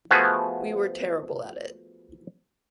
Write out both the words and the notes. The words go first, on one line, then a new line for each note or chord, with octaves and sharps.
We were terrible at it.
F3 A3 B3 F#4 G#4